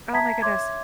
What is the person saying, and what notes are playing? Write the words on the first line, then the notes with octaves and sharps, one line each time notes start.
oh my goodness
E5 A5 A#5 G#6 B6
C#5 E5 C6 D6 G#6